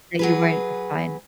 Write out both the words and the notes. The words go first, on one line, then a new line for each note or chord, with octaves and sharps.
that you weren't fine.
F#3 G#4 B4